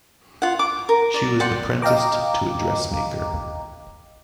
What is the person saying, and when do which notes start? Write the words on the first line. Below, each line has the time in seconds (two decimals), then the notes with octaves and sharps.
She was apprenticed to a dressmaker.
0.42 F4 F#5
0.59 D6
0.89 A#4
1.14 A#4 D5
1.40 D5 F#5 G5 C6
1.82 D#5 F5 G5 A#5 D6